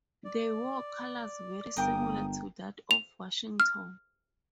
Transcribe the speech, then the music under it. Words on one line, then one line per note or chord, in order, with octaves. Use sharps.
They wore colors very similar to that of Washington.
D5
G1 C#3 A#4 G5 D6 D#6
F7
F6